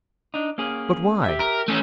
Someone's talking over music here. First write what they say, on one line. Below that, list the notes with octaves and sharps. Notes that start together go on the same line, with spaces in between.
"But why?"
D4 D#4
A#3 C#4 G#4
G4 E5
A#4
A3 C#4